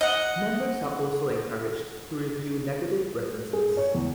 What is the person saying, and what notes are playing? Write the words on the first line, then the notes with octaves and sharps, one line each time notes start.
Members are also encouraged to review negative references.
D#5 F#5
G#4
C#5
E2